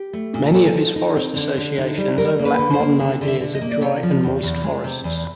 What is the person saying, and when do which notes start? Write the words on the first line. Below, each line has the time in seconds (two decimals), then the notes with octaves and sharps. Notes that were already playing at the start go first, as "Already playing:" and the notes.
Many of his forest associations overlap modern ideas of dry and moist forests.
Already playing: G4
0.13 A3
0.34 A#2
0.54 C4 A4
0.74 D#4
0.96 D#4
1.16 C4
1.36 D3
1.57 D3
1.78 D#4
1.98 G3
2.18 G3 A#4
2.39 A#3
2.45 B4
2.59 D3
2.73 C5
2.80 A#3
3.00 D3
3.21 D3
3.28 E5
3.40 D3
3.55 D#5
3.61 A#3
3.71 D5
3.81 C3 C#5
4.03 F3
4.23 E2
4.43 E2
4.64 G#3
4.84 C3
5.04 E2